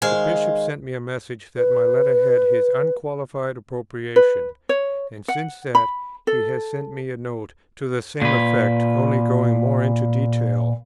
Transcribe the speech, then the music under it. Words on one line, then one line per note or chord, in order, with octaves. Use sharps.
The Bishop sent me a message that my Letter had his unqualified approbation; and since that, he has sent me a note to the same effect, only going more into detail.
D#3 G#3 C5 F5 G#5
B4
B4
C#5
F#5
B5
A4
A#2 B4